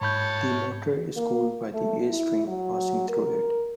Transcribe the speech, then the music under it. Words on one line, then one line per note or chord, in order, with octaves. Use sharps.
The motor is cooled by the airstream passing through it.
G#2 C#5 A5 B5 G6
A#3
A3
E4
F#3
A#4